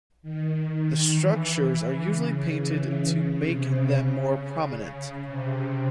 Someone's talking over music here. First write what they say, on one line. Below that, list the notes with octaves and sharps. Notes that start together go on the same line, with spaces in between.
The structures are usually painted to make them more prominent.
D#3
E3
E3
C#3
E3
C#3
C3
C#3
C#3
C3